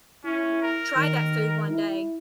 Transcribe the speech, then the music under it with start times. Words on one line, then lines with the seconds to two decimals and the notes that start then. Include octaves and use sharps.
try that food one day.
0.25 C#4 E4
0.63 A#4
0.96 D#3
1.70 E4